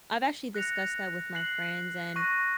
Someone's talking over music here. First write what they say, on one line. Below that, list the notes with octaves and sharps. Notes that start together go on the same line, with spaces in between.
I've actually discussed that with my friends, and
F#6 A#6 C#7 F7
F#6 C7 F#7
C#6 F#6 A#6 D#7